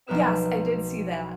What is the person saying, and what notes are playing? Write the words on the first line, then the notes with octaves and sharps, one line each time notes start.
Yes. I did see that
B1 F3 A#3 B4 F6 E7